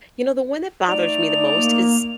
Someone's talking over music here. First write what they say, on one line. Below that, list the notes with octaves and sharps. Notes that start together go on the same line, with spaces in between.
You know, the one that bothers me the most is
A3 D#4 D5 F7
A#3